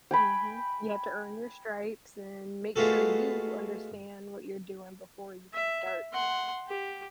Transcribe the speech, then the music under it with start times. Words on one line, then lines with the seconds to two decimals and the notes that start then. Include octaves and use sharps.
Mhm. You have to earn your stripes and make sure you understand what you're doing before you can start.
0.11 G5 G#5 B5
2.76 G#3 A3 B3 F4 F#4 A4
5.53 E5
6.13 F#5 C6
6.68 G4